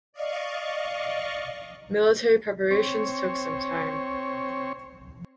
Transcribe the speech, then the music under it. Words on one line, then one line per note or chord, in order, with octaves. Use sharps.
Military preparations took some time.
D5 D#5 F5 C#6
C4 C#5